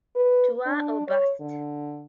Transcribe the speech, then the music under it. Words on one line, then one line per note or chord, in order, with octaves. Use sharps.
Tuva or Bust!
B4
D4
C#5
D3